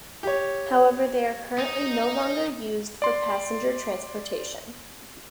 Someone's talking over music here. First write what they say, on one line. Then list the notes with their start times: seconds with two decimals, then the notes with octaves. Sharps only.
However, they are currently no longer used for passenger transportation.
0.23 G4 C#5
1.58 D#4
3.02 D5 C6